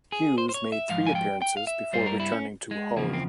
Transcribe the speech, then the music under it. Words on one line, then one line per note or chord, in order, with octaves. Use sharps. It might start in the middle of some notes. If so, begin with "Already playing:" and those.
Hughes made three appearances before returning to Hull.
G#4
C5
C5
C#5
E5
G#2 F3 F5
G#5
G5
G5
F5
E5
G2 G3 C5
A#4
E4
C#4
G#3
E2 C#3 F3 A#3
C4